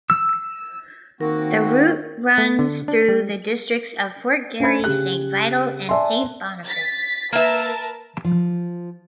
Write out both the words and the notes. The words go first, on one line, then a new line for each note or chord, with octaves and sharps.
The route runs through the districts of Fort Garry, Saint Vital, and Saint Boniface.
E6
D#3 A#3 C4 F#4 A#4
A3
D3
D4
G3
C#4 D4 C5 B5 G#6
C#3 G4 F#6
D5 E5 G#5 A5 C6
A6 B6
A#3 A#4 B4 E5 A5
F3